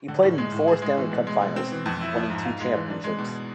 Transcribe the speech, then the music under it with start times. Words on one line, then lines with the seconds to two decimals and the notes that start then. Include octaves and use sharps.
He played in four Stanley Cup finals, winning two championships.
0.08 D3
0.23 A2
0.38 G#3
0.52 A2
0.68 G#4
0.82 G#3
0.97 E3
1.12 B2
1.27 G#3
1.42 B2
1.56 C4
1.72 E3
1.86 F2
2.01 E4
2.16 F3
2.30 G#2
2.45 F4
2.60 G#3
2.75 E3
2.90 D4
3.04 G#3
3.19 B2